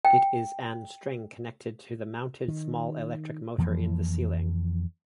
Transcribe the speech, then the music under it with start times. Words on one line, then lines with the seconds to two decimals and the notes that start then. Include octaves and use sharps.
It is an string connected to the mounted small electric motor in the ceiling.
0.05 G5
2.48 D#3
3.58 F2 E3 F3 A#3